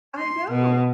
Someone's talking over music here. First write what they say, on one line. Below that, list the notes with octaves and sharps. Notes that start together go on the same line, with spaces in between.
I know.
C6
B2